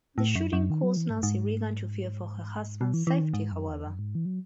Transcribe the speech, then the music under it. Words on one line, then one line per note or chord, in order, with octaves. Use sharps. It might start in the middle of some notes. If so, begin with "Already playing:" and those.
The shooting caused Nancy Reagan to fear for her husband's safety, however.
A2
F#2
F#2
D#3
F#3
E3
G#2
F#2
G#2
B2
E3
E3
D#3
G#2
F#2
E2
F#2
G#2
E3
F#3